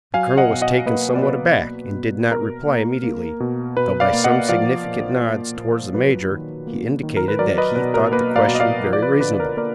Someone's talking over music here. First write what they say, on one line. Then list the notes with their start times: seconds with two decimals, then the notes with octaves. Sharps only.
The colonel was taken somewhat aback, and did not reply immediately, though by some significant nods towards the major, he indicated that he thought the question very reasonable.
0.14 F#3 F5 G#5
0.38 D#5 F#5
0.49 B2
0.61 D#5 F#5
0.86 A#3 B4 D#5
1.15 D5
1.22 B2 B4
1.59 A#3
1.95 B2
2.31 B2 A#4
2.67 A#3
3.03 A#3
3.40 B2
3.77 B2 B4
4.00 D5 F5
4.13 A#3
4.24 D#5 F#5
4.49 F3 D5 F5
4.86 A#2
5.21 A#3
5.57 A#2
5.94 F#3 B4
6.31 D#3
6.67 A#3
7.03 D#3
7.17 A#4
7.28 B4
7.39 F#3 A#4 D5
7.58 B4 D#5
7.76 B2 B4
7.94 A#4
8.12 A#3 B4
8.36 D5 F5
8.48 B2
8.55 D#5
8.60 D5 F5
8.85 F3
8.93 D5
9.02 B4
9.20 D3 B4
9.40 A#4
9.57 A#3 A#4 D5